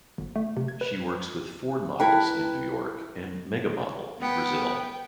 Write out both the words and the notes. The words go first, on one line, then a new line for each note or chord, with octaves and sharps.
She works with Ford Models in New York and Mega Model in Brazil.
G1
A3
C3
G#6
B4
E4 A#4 B4 G5 A5
B3 G5